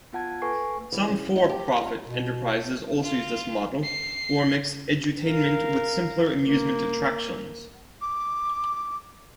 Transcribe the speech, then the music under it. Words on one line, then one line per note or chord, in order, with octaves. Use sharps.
Some for-profit enterprises also use this model, or mix edutainment with simpler amusement attractions.
B3 F4 F#5 A5 G#6
A4 B4 G#5 C#6 C7
E3
C#3
D#4
G4
F4
B2
F4
C7
A#4 F5
A#3
D6